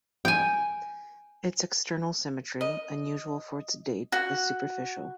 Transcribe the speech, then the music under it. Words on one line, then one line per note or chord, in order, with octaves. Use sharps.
Its external symmetry, unusual for its date, is superficial.
G5 G#5
D#5
F#4